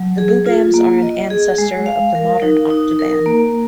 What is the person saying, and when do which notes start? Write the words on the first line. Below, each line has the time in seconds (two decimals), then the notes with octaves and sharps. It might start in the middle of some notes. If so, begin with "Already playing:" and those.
The boobams are an ancestor of the modern octoban.
Already playing: F#3
0.18 G#4
0.46 F4
0.74 A#3
1.02 D#5
1.30 G#4
1.58 G#3
1.86 F5
2.15 A#4
2.42 D#4
2.70 D#4
2.99 A#4
3.26 A#3